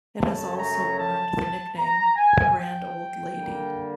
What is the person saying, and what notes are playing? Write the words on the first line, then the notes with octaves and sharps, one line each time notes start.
It has also earned the nickname, "The Grand Old Lady".
F#2 C#3 F#3 A3 C#4 A5
A#5
A5
A#5
G#5
G5
D3 G3 A#3